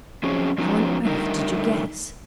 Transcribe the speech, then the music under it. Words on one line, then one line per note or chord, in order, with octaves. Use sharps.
'How on earth did you guess?
F3 F#3 C4 C#4 G#4
F3 F#3 B3 C#4 D#4
D3 G3 A3 D#4 A#4